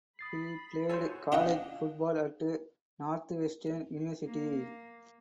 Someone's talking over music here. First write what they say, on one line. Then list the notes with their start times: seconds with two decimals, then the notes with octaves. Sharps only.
He played college football at Northwestern University.
0.19 B5 D#6 A6 C7
0.89 F#4 A4 C5 C#5 G#5
1.32 D4 F4 D#5 F#5 G5
4.25 A#3